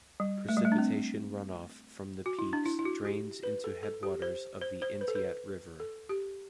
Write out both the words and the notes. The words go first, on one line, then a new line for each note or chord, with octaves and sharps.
Precipitation runoff from the peaks drains into headwaters of the Entiat River.
G3
A3
G3
A3
D4
C4
F#4
E4
D4
E4
E4
F#4
G4
B4
A4
A4
G4
C5
C5
C5
B4
A4
B4
A4
G4